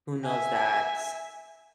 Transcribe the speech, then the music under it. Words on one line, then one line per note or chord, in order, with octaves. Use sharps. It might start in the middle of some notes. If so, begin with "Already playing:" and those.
who knows that
E5 G#5